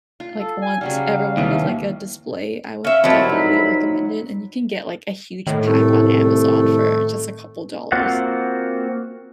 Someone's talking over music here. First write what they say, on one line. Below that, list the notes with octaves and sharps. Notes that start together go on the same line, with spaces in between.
like, want ever wanted, like, a display, I would definitely recommend it. And you can get, like, a huge pack on Amazon for just a couple dollars.
F4
A4
G#5
C#3 F#3 G3 F5
D#2 C3 E3 F#3
C#4 E5 F5
C2 F3 F#3 C4 D#5 E5 A5 B5
D#4
A2 D#3
C2 A3
A#3 C4 F4 F#4 F#5